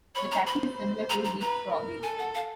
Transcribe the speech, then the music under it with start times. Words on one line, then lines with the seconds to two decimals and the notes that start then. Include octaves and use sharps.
The tactic is similar to leapfrogging.
0.15 C#5 B5
0.32 A#5
0.47 C5 B5
1.10 A#5
1.25 A#5
1.40 B4 A#5
1.72 A#4
2.03 A4 G#5
2.19 F#5
2.35 F5